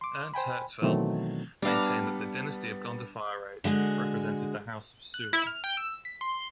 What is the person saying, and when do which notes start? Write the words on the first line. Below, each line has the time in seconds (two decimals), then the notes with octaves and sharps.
Ernst Herzfeld maintained that the dynasty of Gondophares represented the House of Suren.
0.01 C6 D6
0.34 C5 G5 G#5 B5
0.82 B2 D#3 E3 F#3 A3 C4
1.62 G3 B3 D4 F5 A#5
3.64 D3 G#3 F#4 G#4
5.14 F#6
5.33 E4
5.47 F6
5.64 G5
5.77 E6
6.05 B6
6.21 C6